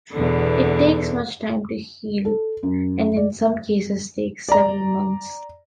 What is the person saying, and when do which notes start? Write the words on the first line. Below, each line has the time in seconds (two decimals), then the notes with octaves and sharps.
It takes much time to heal and in some cases takes several months.
0.13 E2 B2 D3
2.25 A4
2.63 F#2
3.17 D5
4.49 D5 A#5